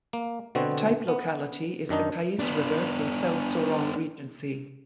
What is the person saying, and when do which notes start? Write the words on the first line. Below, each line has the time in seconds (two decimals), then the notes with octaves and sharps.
The type locality is the Kais River in South Sorong Regency.
0.13 A#3
0.55 B2 D3 B3 C4 F#4
1.08 B3
1.89 F#2 D#3 D4 D#4
2.39 B3 D4